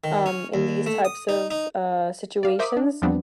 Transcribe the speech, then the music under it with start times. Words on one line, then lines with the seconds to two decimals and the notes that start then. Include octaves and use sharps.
um, in these types of, uh, situations,
0.04 D#3
0.26 C#4
0.54 D#2
0.86 A3
1.05 D#6
1.29 D#4
1.51 D#4
2.43 D5 F5
2.59 A#4 C5 E5 D6 D#6
2.77 D4
3.02 E2 F3 G3 B3 C4 D4